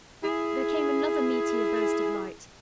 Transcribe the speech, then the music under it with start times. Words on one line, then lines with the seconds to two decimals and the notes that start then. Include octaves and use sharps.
There came another meteor burst of light.
0.24 E4 G#4